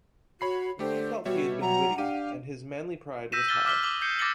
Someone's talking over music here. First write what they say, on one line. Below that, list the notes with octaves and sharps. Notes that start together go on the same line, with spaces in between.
He felt he had been witty, and his manly pride was high.
F#4 C#5 B5 C7
D3 A3 G4 C5
B2 G3 F#4 C#5 E5
F#3 F#5 A#5
D4 G4 F5 D#7
E6 G6 A#6 B6 D#7 E7
D6 E6 F6 A6 B6 G7
D6 F6 B6 F#7 G7
D6 D#6 F#7 G7
D#6 G6 C7 C#7
D6 A6 A#6 C#7 F#7 G7